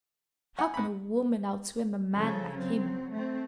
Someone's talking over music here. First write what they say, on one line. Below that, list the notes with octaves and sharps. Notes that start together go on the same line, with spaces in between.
How could a woman outswim a man like him?
F#5 G#5
G#2 B5
C#3 F3 A4
F#3 C4
A3 C4